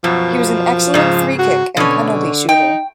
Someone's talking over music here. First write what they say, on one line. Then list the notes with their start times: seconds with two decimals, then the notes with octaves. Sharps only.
He was an excellent free kick and penalty shooter.
0.04 F#2 B2 F3
0.94 G#2 C#3
1.39 F#4
1.77 B2 D3 C#4
2.49 D#4 G5